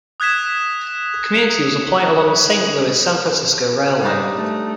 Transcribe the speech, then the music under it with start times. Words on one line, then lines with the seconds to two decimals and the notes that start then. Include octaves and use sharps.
The community was a point along the Saint Louis-San Francisco Railway.
0.20 D#6 F#6 G#6 B6 E7
4.01 G3 D4 D#4
4.36 A3